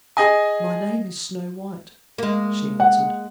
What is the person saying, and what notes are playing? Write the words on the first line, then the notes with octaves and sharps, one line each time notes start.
"My name is Snow-white," she answered.
G#4 D#5 G#5
G#3 A#3
F#5